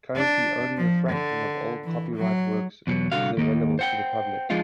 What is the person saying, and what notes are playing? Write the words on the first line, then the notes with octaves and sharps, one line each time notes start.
Currently only a fraction of old copyrighted works is available to the public.
D4
F3
D3
E3
F#3
E2 B2 F3 F#3
C2 D3 F#4 F5
D#3 A#3 D4 D#4
C5 F#5 G5
F3 G#3 D4 D#4 F4